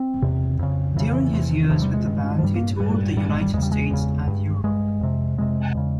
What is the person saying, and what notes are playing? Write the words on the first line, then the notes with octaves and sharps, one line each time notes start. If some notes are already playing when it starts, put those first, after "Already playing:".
During his years with the band he toured the United States and Europe.
Already playing: C4
E2 C3
F2 C#3
F2 C#3 E3
E3
E2 C3
E2 C3 F3
G3
G#3
G2
F3
G2 G3
A#3
G2 G3
G2 G3
G#3
G3
E2 C#3 G#3
G3
G#3
E2 C#3
G2
G2 G#3
F2 C3
F2 C3 G#3
E2 C#3